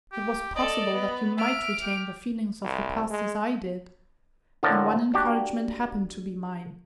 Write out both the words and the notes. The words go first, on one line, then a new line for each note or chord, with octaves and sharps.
It was possible that you might retain the feelings of the past, as I did; and one encouragement happened to be mine.
G4
A4 D5 D#5
B3
E5 F6 D7
G4
C2
G#3
A2 D3 F3 A#4 A5 A#5
D4 F#4 G4